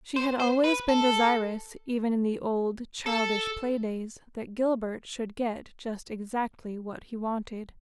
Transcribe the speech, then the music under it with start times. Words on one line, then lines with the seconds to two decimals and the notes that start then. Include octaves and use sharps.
She had always been desirous, even in the old, childish play-days, that Gilbert should get just exactly what he wanted.
0.16 C5
0.40 C5
0.64 B4
0.89 A4
3.07 A4